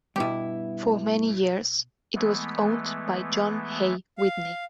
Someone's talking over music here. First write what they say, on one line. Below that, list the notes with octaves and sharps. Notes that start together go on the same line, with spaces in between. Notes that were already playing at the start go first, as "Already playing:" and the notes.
For many years it was owned by John Hay Whitney.
G2 B2 B3 E4 G4
E3 G#3 A3 B3
F5